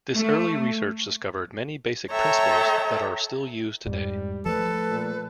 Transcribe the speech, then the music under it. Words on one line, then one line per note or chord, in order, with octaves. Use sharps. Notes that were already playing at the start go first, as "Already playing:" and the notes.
This early research discovered many basic principles that are still used today.
A3
A4 C#5 E5 G5 A#5
F2 G#2 G3
F3 A3 A4 B4
A#2